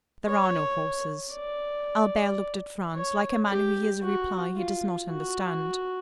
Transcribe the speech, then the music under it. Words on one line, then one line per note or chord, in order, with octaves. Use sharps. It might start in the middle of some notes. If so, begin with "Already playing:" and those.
"There are no horses." Albert looked at Franz like a man who hears a reply he does not understand.
C#5
D5
C#5
G4
F#4
F4
F#4